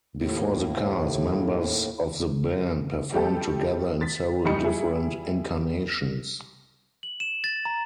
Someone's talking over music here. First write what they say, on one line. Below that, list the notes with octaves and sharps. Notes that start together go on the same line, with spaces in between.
Before the Cars, members of the band performed together in several different incarnations.
D#2 A2
F3 G3 A3 G4 A4
A6 B6
F#1 A2 G3 D#4 B5 C#7
F3 G3 E4 G#4
F#7
E7
A6
A#5